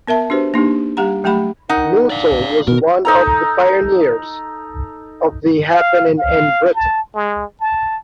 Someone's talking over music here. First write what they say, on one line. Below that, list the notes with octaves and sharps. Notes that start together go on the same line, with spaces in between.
Nuttall was one of the pioneers of the happening in Britain.
B3 A#4 E5 A5
D4 F#4 G4 B4 C5
A#3 D4 D#4 G4
G3 G4 F#5 A#5
F#3 A3 G4 F#5 B5
D#3 D#4 F#5
D4 D5 F5
B2 A#4
D#4 A4 A#5
F5
F5
A5
G#3
A5